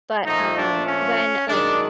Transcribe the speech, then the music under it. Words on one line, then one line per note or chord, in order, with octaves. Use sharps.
but, um, when, like,
A#2 F3 A3 D#4
D4
C#4
F#2 D#3 G#3 D4